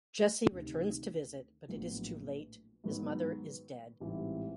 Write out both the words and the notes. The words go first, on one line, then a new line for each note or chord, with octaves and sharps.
Jesse returns to visit but is too late; his mother is dead.
D2 C3 D#3
A#1 A2 F#3 B3
G#2 D#3 F#3 B3
A1 G#2 E3 G3 C4